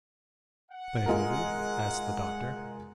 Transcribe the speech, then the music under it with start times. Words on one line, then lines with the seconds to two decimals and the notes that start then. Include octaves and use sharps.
"Favorable?" asked the Doctor.
0.71 F#5
1.06 G#3 F4 A#4